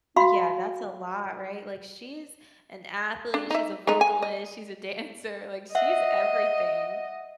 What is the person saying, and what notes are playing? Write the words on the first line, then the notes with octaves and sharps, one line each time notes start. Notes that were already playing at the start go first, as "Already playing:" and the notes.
Yeah, that's a lot, right? Like, she's an athlete, she's a vocalist, she's a dancer. Like, she's everything.
F#4 F5 B5 C6
D4
D#4 E5
G#3 A3 D#4
G#5
D#5
D#5 E5 F#5